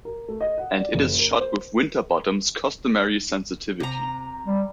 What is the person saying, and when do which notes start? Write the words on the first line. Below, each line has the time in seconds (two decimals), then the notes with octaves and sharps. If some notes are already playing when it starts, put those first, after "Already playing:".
And it is shot with Winterbottom's customary sensitivity.
0.05 A#4
0.28 A3
0.41 D#5
0.58 F#5
0.78 D5
0.95 F#1
1.18 A#4
1.40 C5
3.80 C3 A#5
4.46 G3